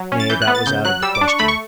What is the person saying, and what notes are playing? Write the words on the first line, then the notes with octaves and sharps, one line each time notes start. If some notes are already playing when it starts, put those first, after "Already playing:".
Nay, that was out of the question.
Already playing: F#3
C#4
A6
E3 G6
F#6
B3
A6
C#3 G6
F#3 F#6
G3 E6
D6
D4
C#6
A3 B5
C#6